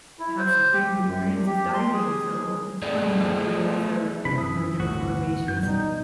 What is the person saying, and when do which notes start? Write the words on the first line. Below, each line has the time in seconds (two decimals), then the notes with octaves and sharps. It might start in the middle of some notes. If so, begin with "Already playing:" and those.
have some crazy experiences diving; so it's funny how everybody has their, you know, their different motivations.
0.19 E4
0.39 C5
0.72 G4
1.06 F#2
1.27 E2
1.46 G4
1.74 C6
1.93 G#4
2.82 A3 G#4 D5
4.25 C3 E3 G3 D4 B5
4.38 F#2 E3 D#6 E6
4.80 G1 D2 A2 F#4
5.48 F#2 G6
5.63 B2 G3 D#4